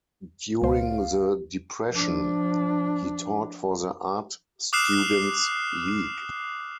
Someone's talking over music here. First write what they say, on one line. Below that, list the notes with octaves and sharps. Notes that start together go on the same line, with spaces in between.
During the depression he taught for the Art Students League.
C#2 C5 F5
F3 D4
D6 D#6 F6 F#6 C7 E7